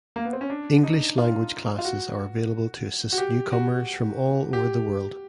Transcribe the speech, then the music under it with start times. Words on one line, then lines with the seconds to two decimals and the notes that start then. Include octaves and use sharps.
English language classes are available to assist newcomers from all over the world.
0.16 A#3
0.25 B3
0.33 C4
0.41 C#4
0.50 D4
0.83 D#4
1.18 F4
1.79 F4
1.85 F#4
3.13 F#4
3.18 G4
3.52 F#4
4.53 G4